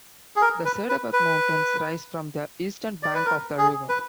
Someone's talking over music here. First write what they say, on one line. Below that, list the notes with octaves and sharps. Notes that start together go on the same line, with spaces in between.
The Cederberg mountains rise from the eastern bank of the river.
G#4
A#4
B4
B4
B4
D5
B4
A#4
G#4
B4